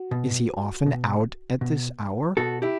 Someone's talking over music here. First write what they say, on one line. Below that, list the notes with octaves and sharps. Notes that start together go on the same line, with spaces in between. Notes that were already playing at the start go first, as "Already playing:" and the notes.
"Is he often out at this hour?"
Already playing: F#4
B2
B2
B2
B2 F#4 A4
E4 G4